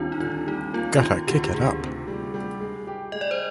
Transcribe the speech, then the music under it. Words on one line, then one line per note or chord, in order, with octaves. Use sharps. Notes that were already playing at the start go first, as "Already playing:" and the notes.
Gotta Kick It Up!
Already playing: D#2 D3 G3 C4 D4 F4
D#4
D3 F4
G3 D#4
A#3 F4
G4
D#3 F4
D2 G4
F4
G4
D2 G#4
C3
G3
G3
G#3
G4
G#3 D#5
D5
C5